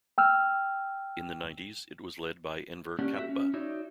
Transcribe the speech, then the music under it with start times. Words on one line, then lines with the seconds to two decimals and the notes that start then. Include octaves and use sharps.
In the nineties, it was led by Enver Kapba.
0.18 G5 E6 F6
2.99 A#3 C#4 D4 G4 D5 F#5
3.16 F#4 G4 A4 E5
3.29 C#4
3.54 D#4 F#4 C#5 D5 E5